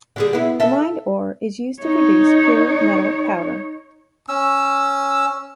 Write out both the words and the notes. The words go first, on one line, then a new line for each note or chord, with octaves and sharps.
The mined ore is used to produce pure metal powder.
D3 G3 G#4
B3 E4
A4 E5
D#4 C#5
C#4 E6